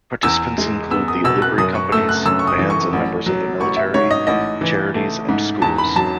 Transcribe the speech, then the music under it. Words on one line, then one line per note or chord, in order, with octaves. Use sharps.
Participants include the livery companies, bands and members of the military, charities and schools.
E2 E6
G#3
B3 E6
D#6
B2 E6
F#6
F#2 D#6
C#6
A3 E6
F#6
F#2 E6
C#6
D#6
E3
C#6
A1
F#3
A1 C#6
E5
G#2 C#5
D#5
A1 D#5
E3
A3
G#2
E2 A5
B5
F#3 A5